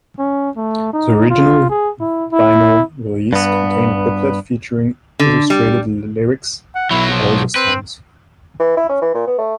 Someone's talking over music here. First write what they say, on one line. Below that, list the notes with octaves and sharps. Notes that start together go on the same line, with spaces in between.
The original vinyl release contained a booklet featuring illustrated lyrics to all the songs.
C#4
A3
D#4
F4
G#4
E4
E4
G2 B3
D3
G3
F#5
B1 F#3 E4
F3
C4 B4
E3
E4
C#4
E3
A#2
B3
A3